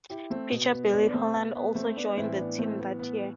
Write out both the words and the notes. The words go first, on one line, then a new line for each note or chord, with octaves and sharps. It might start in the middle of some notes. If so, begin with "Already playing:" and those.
Pitcher Billy Holland also joined the team that year.
E4 G4
A3 C4
B2
B3
B3 D4
D4
A3 C4
B3
B3
A3 C4
B3 D4
A2 E3 C4 E4
B3 D4
A3 C4
B3
B3